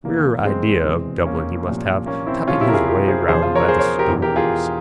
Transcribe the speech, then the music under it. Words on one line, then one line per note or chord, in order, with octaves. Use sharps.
Queer idea of Dublin he must have, tapping his way round by the stones.
F1 E2 E3 A#3
G#3 C4
E1 E2 C3 E3
A#3 C#4
C2 A#2 F3
A#3 C#4
C4 E4
C#2 C3 F3 C#4 F4
E4 G4
A#4
F4 G#4
E4 G4
G#4 C5
E1 E2 C#3 F3 G#4 C5
F4 G#4
A#4 C#5
G#4 C5
A#4 C#5
G4 A#4
E1 E2 E3
G4 A#4
F4 G#4